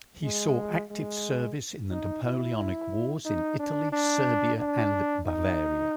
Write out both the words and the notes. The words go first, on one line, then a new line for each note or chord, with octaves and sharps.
He saw active service in the Napoleonic Wars in Italy, Serbia and Bavaria.
G#3
G#3
D#4
E4
D#4
D4
D4
D4
D#4